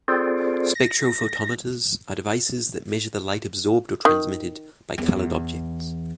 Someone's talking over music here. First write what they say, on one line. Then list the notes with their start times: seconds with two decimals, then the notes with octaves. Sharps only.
Spectrophotometers are devices that measure the light absorbed or transmitted by colored objects.
0.08 C4 F4 G#4 A4 C5 D5
0.75 A#6
4.05 D#3
4.98 E2